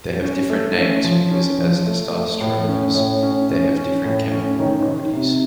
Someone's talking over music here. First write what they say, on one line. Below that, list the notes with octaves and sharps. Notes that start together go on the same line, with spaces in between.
They have different names because, as diastereomers, they have different chemical properties.
C#4
A3
C#4
F3
C#4
F3
A3
A3
A2
C#4
A2
C#4
C#4
C#4
A2
C#4
D#3
D#3
C3